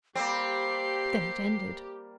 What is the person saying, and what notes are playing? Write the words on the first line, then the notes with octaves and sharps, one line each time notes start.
Then it ended.
G3 A#3 C4 G4 C7